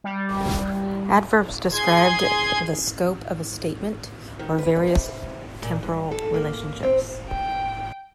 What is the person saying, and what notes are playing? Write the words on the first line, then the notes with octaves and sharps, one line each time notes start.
Adverbs described the scope of a statement or various temporal relationships.
G3
G#4 C6 G#6
D#3
B4
C3
A#2
G2
A4
A#3
C4
G5